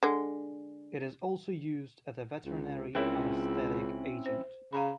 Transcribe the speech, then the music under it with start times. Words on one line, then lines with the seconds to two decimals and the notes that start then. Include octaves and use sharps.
It is also used as a veterinary anesthetic agent.
0.03 D3 G#3
2.46 C#2
2.95 C#2 C4 C#4 E4 G#4 A#4 C#5
4.26 C5
4.73 C#3 F5 A#5 B5